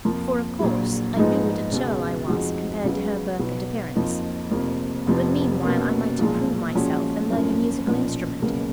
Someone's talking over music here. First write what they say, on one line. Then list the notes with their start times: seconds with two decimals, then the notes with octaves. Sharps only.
For, of course, I knew what a churl I was compared to her birth and appearance; but meanwhile I might improve myself and learn a musical instrument.
0.05 F2 F3 A#3 F4
0.60 A#1 A#2 F#3
1.16 G#2 F3 G#3 B3 D#4
1.72 C#2 B2 G#3
2.28 F2 F3 G#3 D#4 F#4
2.84 C#2 C#3 F#3 B3 F#4
3.39 B1 B2 F#3 B3
3.95 F2 F3 A#3 D#4
4.51 F1 F2 F3 A#3
5.07 F1 F2 F3 B3
5.63 B2 A#3 C#4
6.19 B1 A#2 F3 G#3
6.74 A#2 F3 G#3 C#4 F#4
7.31 G#1 F#2 F3 A#3 C#4
7.87 B1 A#2 F3 A#3 C#4
8.42 C#2 B2 F#3 A#3 C#4